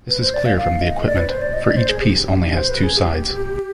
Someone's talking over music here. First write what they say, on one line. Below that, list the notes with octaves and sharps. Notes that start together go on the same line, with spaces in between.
This is clear from the equipment, for each piece only has two sides.
B4
C5
D5
F5
F5
D#5
D5
B4
C5
D5
D#5
D5
C5
G#4
G4
C5
B4
G#4
G4